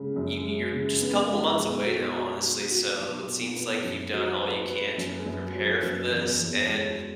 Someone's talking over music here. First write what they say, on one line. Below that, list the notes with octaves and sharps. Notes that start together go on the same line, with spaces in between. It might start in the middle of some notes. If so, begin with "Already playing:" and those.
you you're just a couple of months away now, honestly so it seems like you've done all you can to really prepare for this and
Already playing: C#3 G#3
F#2
G#3
C#3
B3
G#3
B1
F#4
F#4
F#4
F#4
B1
B2
B3
F#2
F#3
B4
B4
F#2
F#2
F#3
F#2
E2
E2
G#3